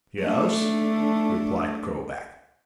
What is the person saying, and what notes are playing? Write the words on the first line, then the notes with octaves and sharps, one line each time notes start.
"Yes," replied Krovac.
A3 D4